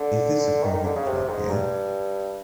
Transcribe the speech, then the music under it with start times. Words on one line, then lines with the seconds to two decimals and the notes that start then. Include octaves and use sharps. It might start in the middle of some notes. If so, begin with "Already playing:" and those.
Is this a private club here?
Already playing: D3
0.63 D#3
0.74 D#3
0.85 D3
0.96 C#3
1.06 C3
1.29 G#2
1.50 G2